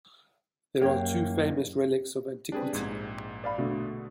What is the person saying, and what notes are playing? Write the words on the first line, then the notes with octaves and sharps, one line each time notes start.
There are two famous relics of antiquity.
F#2 A#3 C#5 G5
G3 C4 D4 G#4 B4
A#1 G#2 G#6
D5 F5 B5
B2 D3 A3